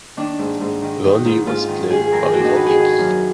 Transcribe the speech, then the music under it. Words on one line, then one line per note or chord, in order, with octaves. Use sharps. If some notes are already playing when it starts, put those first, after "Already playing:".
Roly was played by Robbie Gee.
D#3 D4
G#2
G#2
D#3
D#3 D#4
G#2
G#2 F4
D#3
D#3 G#4
G#4
F2 A#4
G#4
F2 F#4
D4 D#4
D#3 B4
G#4
D#3
F#2